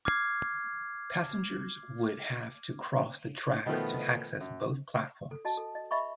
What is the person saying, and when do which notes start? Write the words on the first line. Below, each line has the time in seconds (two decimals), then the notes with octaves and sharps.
Passengers would have to cross the tracks to access both platforms.
0.05 D6 F6 G#6 C7
3.66 B2 D#3 F3 A3 B3
4.41 F#2
5.31 A4
5.45 F#4 D#5 A5
5.58 A4
5.75 D#5
5.91 D#5 E5 B5 C#6